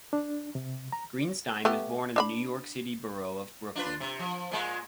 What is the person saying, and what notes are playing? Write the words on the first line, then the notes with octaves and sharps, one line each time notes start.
Greenstein was born in the New York City borough of Brooklyn.
D4
C3
A#5
A3 B3 G4
D4 E5 B5
D4 F4 B4
C3
F3
A#2 G#3